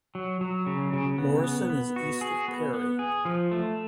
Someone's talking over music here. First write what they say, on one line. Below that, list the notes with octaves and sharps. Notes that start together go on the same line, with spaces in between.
Morrison is East of Perry.
F#3
F#3
C#3
C#3
B3
B3
B3
F#4
G#4
B3
B3
G#4
F3
A3